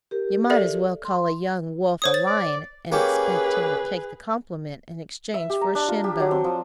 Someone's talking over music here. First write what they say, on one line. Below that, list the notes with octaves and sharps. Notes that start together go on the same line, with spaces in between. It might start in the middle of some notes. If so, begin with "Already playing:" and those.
You might as well call a young wolf a lion and expect him to take the compliment in exchange for a shin-bone.
G4 A#4
A4 D5 E5
C6
C5 C#5 D#6
A6
D5
A#3 C#4 G4 G#4 B4
E5
G4
A#5
D4
F4
G4
F#3
C4
F3